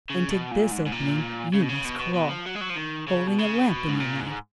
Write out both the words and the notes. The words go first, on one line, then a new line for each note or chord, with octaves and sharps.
Into this opening you must crawl, holding a lamp in your mouth.
C#3
B2
A#2
G#2
G#2
A#2
C#3
B2
C#3
B2
B2
B2
F3
F#3
G#3
F#3
F3
D#3
C#3
B2
C#3
B2
G#2
A#2
G#2